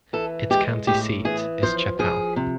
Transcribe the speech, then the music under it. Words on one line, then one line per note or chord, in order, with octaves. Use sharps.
Its county seat is Chappell.
E3 A4
G#3 G4
A2 G4
E3 G#4
F3 C5
F3 G#4
C3